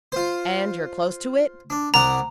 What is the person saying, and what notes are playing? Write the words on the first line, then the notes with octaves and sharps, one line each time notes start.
"And you're close to it?"
F4 C5
D4
C2 D5 F#5 A#5